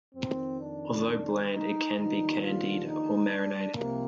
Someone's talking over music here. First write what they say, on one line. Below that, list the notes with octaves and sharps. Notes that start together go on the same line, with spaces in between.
Although bland, it can be candied or marinated.
F2 D#3 C4
D4
D#4
D#2 D3 F3 D#4
F4
D#4
D4
C2 C3 F3 A#3